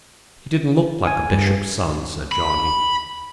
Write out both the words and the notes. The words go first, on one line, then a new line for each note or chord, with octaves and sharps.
"He didn't look like a bishop's son," said Johnny.
G#5
G2
B5